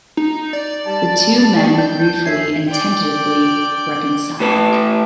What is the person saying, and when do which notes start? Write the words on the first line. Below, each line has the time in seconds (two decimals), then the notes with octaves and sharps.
The two men briefly and tentatively reconcile.
0.17 D#4
0.53 D5
0.86 G3 A5
1.78 G6
2.25 F#2 E5 G#5 C7
2.68 D5 G5
4.40 A2 B4 A5